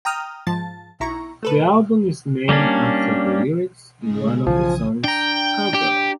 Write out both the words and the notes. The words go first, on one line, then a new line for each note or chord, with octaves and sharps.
The album is named after the lyrics in one of the songs, "Cowgirl".
G5 A#5 D#6 F6
G#2 F3 A5 A6
B1 E4 A#5 C#6
A3 A4 B4
G3 A#3 C#4 D4
C#3 G#3 G#4
B1 C#3 E3 F3 G#5 D#6
D4 G5 A#5
G4